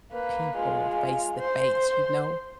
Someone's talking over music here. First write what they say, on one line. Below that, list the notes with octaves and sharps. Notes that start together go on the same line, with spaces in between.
people face to face, you know?
A#3 B4
G#3 F4
C5